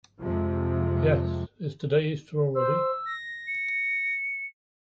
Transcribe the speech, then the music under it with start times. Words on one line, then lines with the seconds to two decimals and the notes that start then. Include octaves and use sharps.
Yes, is today Easter already?
0.19 F2 C3 F3 G#3
2.55 C5 E6
3.06 A#6
3.47 C#7